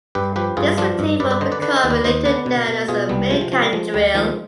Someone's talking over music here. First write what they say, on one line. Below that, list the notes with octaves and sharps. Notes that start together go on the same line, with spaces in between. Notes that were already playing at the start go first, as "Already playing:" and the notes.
This routine would become later known as the Mikan Drill.
G2 G4 B4
F3 G4 B4
G2 F4 G#4
F3 D4 F4
G2
G2 B4 D5
B4 D5
D3 C5 D#5
B4 D5
D3 B4 D5
C5 D#5
D#2
B4 D5
D#2 C5 D#5
D3 B4 D5
B2
B2
B2 F4 G#4
C2 G3 B3
C3 F3 G#3
F3
F3
G3
F3 G#3
D2 G3
D#3 F3 G#3